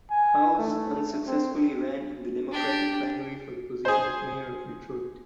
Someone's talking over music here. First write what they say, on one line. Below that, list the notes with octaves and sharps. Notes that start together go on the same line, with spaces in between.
Howze unsuccessfully ran in the Democratic primary for the position of mayor of Detroit.
G#5
A3
C4
D4 G4
G#4 C5